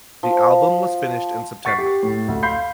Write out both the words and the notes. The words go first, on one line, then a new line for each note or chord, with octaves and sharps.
The album was finished in September.
F3
F#5 C#6 A6 B6 C7
G4
A2
D2
F5 B5 C6 G6 C7